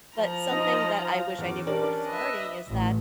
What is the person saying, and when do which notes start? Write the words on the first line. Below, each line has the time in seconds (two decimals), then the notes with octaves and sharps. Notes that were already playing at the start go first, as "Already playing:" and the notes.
but something that I wish I knew before starting is that
0.15 F3 A#5
0.52 D#4 D#5
1.03 F5
1.38 E2 C#4 D6
1.67 D4 G4 A#4 D5
2.07 B4 D#5 E5
2.68 A1